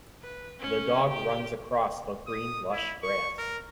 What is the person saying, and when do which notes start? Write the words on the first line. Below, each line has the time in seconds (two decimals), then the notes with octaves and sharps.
The dog runs across the green lush grass.
0.23 B4
0.60 C#4
1.08 G4
2.27 D#6
2.72 E4
3.03 C#6
3.38 A#4